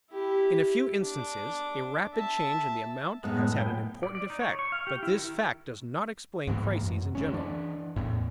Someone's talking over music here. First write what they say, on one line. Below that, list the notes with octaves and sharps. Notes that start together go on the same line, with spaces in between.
In a few instances a rapid change in the amount has had an important effect, but this fact does not explain crises in general.
E4 G4
D4 D6
E5 A5
F#2 A2 G#3 B3 D#4
B3 G5
D5
D5
D#4
C#5
C#6
F5
G4
E4
D#3
G#2 E3 A#3
F#2
D2 G3 C#4
E3 D4
E2 A2